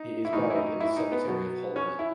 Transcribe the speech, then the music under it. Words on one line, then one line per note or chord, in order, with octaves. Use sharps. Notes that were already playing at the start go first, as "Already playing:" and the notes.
He is buried in the Cemetery of Holmen.
Already playing: D#4
E4
A2 E3 D#4
E4
D#4
E4
D#4
B3
B2 F#3
C#4
E4